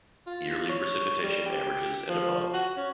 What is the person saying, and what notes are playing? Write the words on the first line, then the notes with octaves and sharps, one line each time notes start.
Yearly precipitation averages and above.
F4
C#5
G3
G4
F3
F#4
C#4